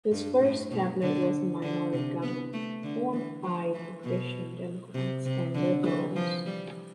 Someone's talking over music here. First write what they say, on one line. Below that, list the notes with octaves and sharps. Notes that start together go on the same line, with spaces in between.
His first cabinet was a minority government formed by the Christian-democrats and liberals.
G2
A2
B2
D3
D3
C3
B3
A3
D3
E3
F3
E3
B2
C3
C3
D3
E3
F3
G3